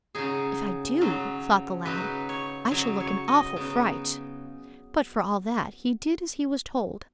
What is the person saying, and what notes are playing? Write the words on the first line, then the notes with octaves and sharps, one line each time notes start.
"If I do," thought the lad, "I shall look an awful fright;" but for all that, he did as he was told.
C#3 F#3 D#4 G#4
C#3 F#3 D#4
C#3 F#3 D#4 B4
C#5
C#3 F#3 D#4 C#5
C#5
D#5
C#3 B3 D#4